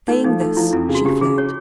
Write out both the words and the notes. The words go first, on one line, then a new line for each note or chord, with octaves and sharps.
Saying this, she fled.
A3 D#4
F3 D#4
A3 D#4
F3 E4
F2 E4
C#3
F#4
C#3 G4
C#3 G#4
C#5